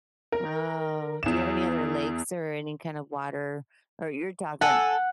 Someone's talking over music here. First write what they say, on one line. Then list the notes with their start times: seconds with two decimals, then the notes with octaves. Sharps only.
Oh, do you have any other lakes or any kind of water? Or you're talking
0.32 A#4
1.23 E2 E7
4.61 A4 F#5 G#5